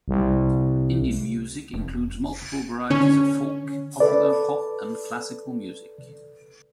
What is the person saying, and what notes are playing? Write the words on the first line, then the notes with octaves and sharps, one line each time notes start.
Indian music includes multiple varieties of folk, popular, pop, and classical music.
C2
F1
D3 C#4
A4 B4 D5